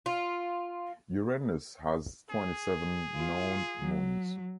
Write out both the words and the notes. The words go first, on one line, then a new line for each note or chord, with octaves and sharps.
Uranus has twenty seven known moons.
F4
G#4
F4
F#3